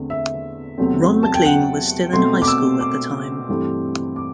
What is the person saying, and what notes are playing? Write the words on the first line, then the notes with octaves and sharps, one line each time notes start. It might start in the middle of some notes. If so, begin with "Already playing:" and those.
Ron MacLean was still in high school at the time.
Already playing: E2 D3 A3 C4
E5
E2 C3 F#3 A3 C4
A5
G5
F#5
B2 A3 C4 C6
D6
E6
D6
G2 E3 A3 C4
D6